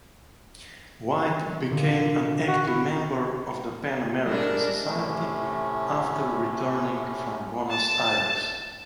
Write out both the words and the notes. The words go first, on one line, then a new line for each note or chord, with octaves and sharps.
White became an active member of the Pan-American Society after returning from Buenos Aires.
A#2 D3
F#4
E4
G3 G#3 D4 A#4 E5
A2 C3 A3 C#4
A5